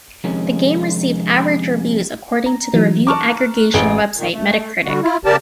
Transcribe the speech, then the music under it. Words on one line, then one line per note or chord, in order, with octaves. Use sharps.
The game received "average" reviews according to the review aggregation website Metacritic.
F2 C3 D#3 G#3 C#4
A#5
E3 F#3 D#4
A5 A#5 C#6 D6 F6 F#6
A1 G#4 D7
A#2 D#3
A3
D3 G3 F#4
E4 F4
C#3 G4 A#4 D5 A5